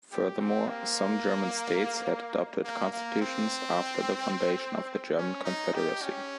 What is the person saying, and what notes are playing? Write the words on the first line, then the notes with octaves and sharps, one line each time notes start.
Furthermore, some German states had adopted constitutions after the foundation of the German Confederacy.
G4
C4
A#3
A#3
A#3
C4
C#4
D#4
G4
C#4